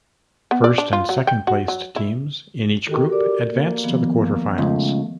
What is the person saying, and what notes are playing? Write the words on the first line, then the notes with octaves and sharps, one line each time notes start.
First and second placed teams, in each group, advance to the quarter-finals.
B3
D5
D4
F4
F#3
G5
F#4
F#3
E4
D#3 F#4 G4 A4
G4 A#4 D5
A#3
D#3 F3 B3
A#3
C#2 A3